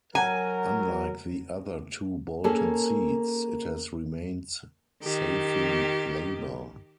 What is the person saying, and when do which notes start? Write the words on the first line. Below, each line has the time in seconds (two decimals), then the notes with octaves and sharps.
Unlike the other two Bolton seats, it has remained safely Labour.
0.15 F#3 A#4 F#5 G#5 A#5
2.44 A#3 C#4 G#4 A4
5.03 D#3 G4